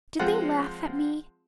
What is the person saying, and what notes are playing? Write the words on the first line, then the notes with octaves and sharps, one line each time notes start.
"Did they laugh at me?"
F3 G#3 C4 F#5